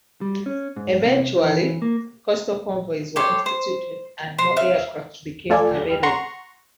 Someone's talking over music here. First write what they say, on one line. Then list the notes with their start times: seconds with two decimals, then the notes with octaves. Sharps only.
Eventually, coastal convoys were instituted and more aircraft became available.
0.21 G3
0.46 C#4
0.76 G#2
1.05 C3
1.43 E3
1.82 A#3
3.16 G4 A4 C#5 C6
3.46 C5
4.38 C5 C6
4.56 E5 F5
5.50 A3 F4 A4 D5 G#5
6.03 F#5 A#5 C6 C#6